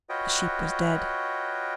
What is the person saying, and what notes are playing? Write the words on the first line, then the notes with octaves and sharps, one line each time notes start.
The sheep was dead.
F4 F#4 B4 C#5 D#5 G5